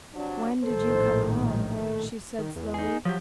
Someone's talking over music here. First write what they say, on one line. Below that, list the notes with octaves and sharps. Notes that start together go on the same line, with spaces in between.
"When did you come home?" she said slowly.
C3 F#3 D4
A#1 A2 D#3 A4 C5
A3
D#3
E2
D#4 G#4
F3 F#3 G4